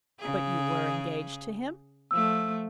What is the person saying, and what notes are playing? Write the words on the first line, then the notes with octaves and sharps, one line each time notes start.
"But you were engaged to him?"
C#3 G#4
F3 A3 E6